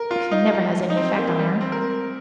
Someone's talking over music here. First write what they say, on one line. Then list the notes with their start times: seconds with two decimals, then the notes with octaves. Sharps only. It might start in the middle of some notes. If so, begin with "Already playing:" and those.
"Coaxing never has any effect on her."
Already playing: A#4
0.11 F4
0.31 D#4
0.90 D#4
0.97 C4
1.18 A#3
1.39 G3
1.61 C4
1.72 A#4